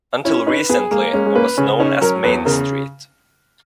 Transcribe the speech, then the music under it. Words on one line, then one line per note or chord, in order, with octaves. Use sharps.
Until recently it was known as Main Street.
C#4 E4
D#4 B4
B3 G#4
G#3 A#3
G#3 C#4
G#3
A#3 B4
C#3 C#4
C#4 D#4
F#3 A#4
E2 B4
C#3 A#4